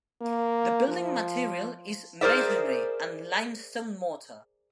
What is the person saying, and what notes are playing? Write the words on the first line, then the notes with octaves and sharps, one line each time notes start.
The building material is masonry and limestone mortar.
A#3
F3
G#4 A#4 C5 D5 E5